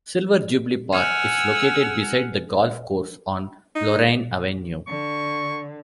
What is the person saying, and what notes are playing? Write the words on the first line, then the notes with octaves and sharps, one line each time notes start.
Silver Jubilee Park is located beside the golf course on Lorraine Avenue.
F#5 G#5 E6 F6
D#4
D3 C#6